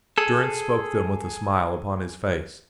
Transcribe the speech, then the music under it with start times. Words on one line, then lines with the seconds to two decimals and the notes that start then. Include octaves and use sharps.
Durrance spoke them with a smile upon his face.
0.18 G#4 A4